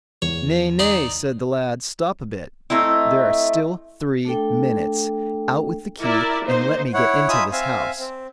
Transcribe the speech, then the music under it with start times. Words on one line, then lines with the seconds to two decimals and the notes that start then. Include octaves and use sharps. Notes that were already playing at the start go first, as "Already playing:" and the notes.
'Nay, nay!' said the lad; 'stop a bit, there are still three minutes! Out with the key, and let me get into this house.'
0.22 E2 C#5
0.79 D#4 D5 C6
2.70 A3 C4 D#4 E4
4.25 A3 D4 A4 G5
6.01 E4 A#4 D5 E5
6.45 A#3 D#4 C5
6.94 E4 C#5 F#5
7.29 D#4 F4 E5 G#5 B5 D#6
7.52 C4 E5 F5 G#5
7.99 C4